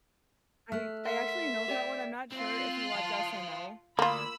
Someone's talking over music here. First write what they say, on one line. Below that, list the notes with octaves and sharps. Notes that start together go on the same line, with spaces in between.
I I actually know that one. I'm not sure if you watch SNL.
A3 F6 F#6
A#4 E5 F#5 C6
G4 D5 G5
C4 F4 C6 F#6
F5 A5
D2 A#3 F4 B5 E6